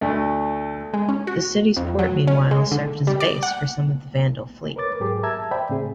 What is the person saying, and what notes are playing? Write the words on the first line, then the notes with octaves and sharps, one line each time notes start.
The city's port meanwhile served as a base for some of the Vandal fleet.
D2 A3
G#3
C#4
F#4
F2
F#3
C#4
G#3
D3
G3
D5
F#5
A#4 B4 C#5 D6 A6
G#2 F#3 G4 G#4 A#4 D6
E5 A5 A#5 E6 G#6
C5 D5 E5 G5 B5
A2 C#3 C4 G#4